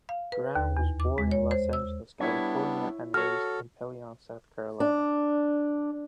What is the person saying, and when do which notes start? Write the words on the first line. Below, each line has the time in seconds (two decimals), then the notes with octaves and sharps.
Graham was born in Los Angeles, California, and raised in Pelion, South Carolina.
0.09 F5
0.32 B4
0.56 D#2
0.77 E2
1.00 D6
1.18 G#3
1.31 C#5
1.51 C5
1.73 E6
2.20 G3 B3 D4 E4 C#5
3.14 F#4 A4 C#5 F6
4.80 D4